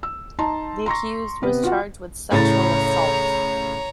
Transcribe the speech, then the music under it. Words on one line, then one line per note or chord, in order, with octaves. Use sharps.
The accused was charged with sexual assault.
E6
D#4 A5 A#5 C6
A#5 C6 C#6 A#6
C3 B3 B4
F4 F#4 F#5
A2 C#3 C#5 A#5 A6